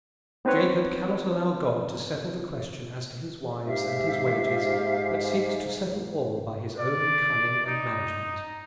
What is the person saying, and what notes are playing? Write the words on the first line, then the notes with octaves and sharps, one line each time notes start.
Jacob cannot allow God to settle the question as to his wives and his wages, but seeks to settle all by his own cunning and management.
B3 C4 D#4 B4 C#5
G#2 G4 E5 F5
D5
D#4